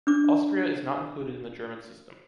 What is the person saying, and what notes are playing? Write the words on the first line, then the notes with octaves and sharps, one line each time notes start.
Austria is not included in the German system.
D4 D6